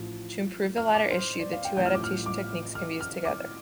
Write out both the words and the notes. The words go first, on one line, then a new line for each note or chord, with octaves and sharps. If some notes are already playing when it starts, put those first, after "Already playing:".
To improve the latter issue, the two adaptation techniques can be used together.
Already playing: A1 A2 F3
F6
D6
C5
D5
F5
G5
A1 A2 F3 G6
F6
D6
F6
D6
F6
F6
D6